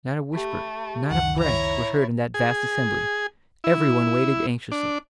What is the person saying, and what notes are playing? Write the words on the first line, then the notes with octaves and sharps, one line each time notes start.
Not a whisper, not a breath, was heard in that vast assembly; every one waited anxiously.
A3 G4 B5
C#2 F#2 D#3 F#5
E4 C#5 A#5
G#4
E4
D4